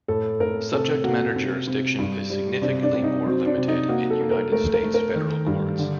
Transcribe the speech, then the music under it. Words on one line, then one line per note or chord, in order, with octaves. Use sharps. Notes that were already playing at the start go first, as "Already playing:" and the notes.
Subject-matter jurisdiction is significantly more limited in United States federal courts.
A2 A4
A2 A#4
C3 A4
A#3 F#4
C3
C3
G2
G3
C3 D4
D4
C3
D#4
F#3 C4
D4
C3
D#4
A#3 F#4
A4
A#3
A#4
A3 A#4
A#4
A3
A#4
D#3
G2
D3